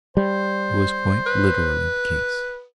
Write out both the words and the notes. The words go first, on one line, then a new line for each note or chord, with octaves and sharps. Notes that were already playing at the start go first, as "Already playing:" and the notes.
It was quite literally the case.
G3 C5
B4